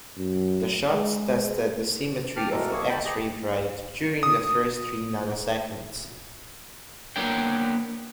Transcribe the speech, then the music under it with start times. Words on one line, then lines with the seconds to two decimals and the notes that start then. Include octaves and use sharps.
The shots tested the symmetry of the X-ray drive during the first three nanoseconds.
0.17 F#2
0.91 G#3
2.36 G4 A5 F6
2.51 B2 E3 G#3 A4 A#4
2.72 D#2 A#3 G#4 C#6
2.89 D2 D#3 G5 A5 B5
3.05 G4 G#4 D#5
4.23 D#6
7.16 A#3 B3 D4 C#5 G5